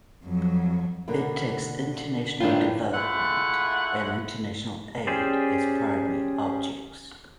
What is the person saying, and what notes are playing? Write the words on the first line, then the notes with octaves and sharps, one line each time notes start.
It takes international development and international aid as primary objects.
F2 F#3
B2 D3 A#3
A2 D#3 E3 D4 F4
G#3 A3 E4 F4 F#5
C#4 G4 G#4 C5 D5